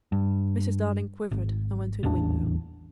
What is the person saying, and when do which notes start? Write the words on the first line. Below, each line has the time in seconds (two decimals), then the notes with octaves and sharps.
Mrs. Darling quivered and went to the window.
0.12 G2
1.31 G#1
2.03 D#1 A1 E2 D4